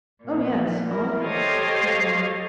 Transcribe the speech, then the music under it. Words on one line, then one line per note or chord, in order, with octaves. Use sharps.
'Oh yes, often.' He smiled.
A#2 F3
E4 A#4
G4 A4 C5 C#5 D#5 F5